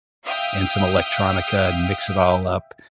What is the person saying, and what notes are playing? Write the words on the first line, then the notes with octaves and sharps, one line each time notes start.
and some electronica and mix it all up.
E5 F5 G5 D#6